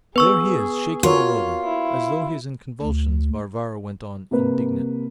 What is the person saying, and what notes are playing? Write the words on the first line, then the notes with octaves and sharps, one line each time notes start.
"There he is shaking all over, as though he is in convulsions!" Varvara went on indignantly.
B3 G#4 B4 C#6 E6
F4 F#4 A#4 C#5
E4
D2
C3 A#3 B4